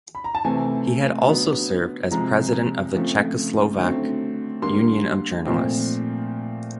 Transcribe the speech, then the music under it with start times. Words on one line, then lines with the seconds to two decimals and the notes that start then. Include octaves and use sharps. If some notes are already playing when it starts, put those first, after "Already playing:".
He had also served as President of the Czechoslovak Union of Journalists.
0.15 B5
0.24 A#5
0.35 A5
0.45 C3 E3 A3 C4 G#5
1.28 D3 F#3 B3
2.11 C3 F3 G#3 A#5
2.95 C#3 F3 A3 C4
3.79 D3 F#3 A3 C4
4.62 D3 G3 A#3 C6
5.46 A#2 F3 A3 C4